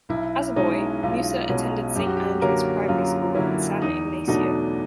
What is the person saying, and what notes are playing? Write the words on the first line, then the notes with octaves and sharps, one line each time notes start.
As a boy, Musa attended Saint Andrew's Primary School in San Ignacio.
B1 E4
B2 G#3 C#4 D#4
B1 F4
B2 G#3 C#4
F#2 G4
F#4
G4
D3 F#3 A#3 C#4 A#4
F#2 F4
D3 F#3 A#3 C#4 E4
E2 D#4
B2 F#3 A3 D4 D#4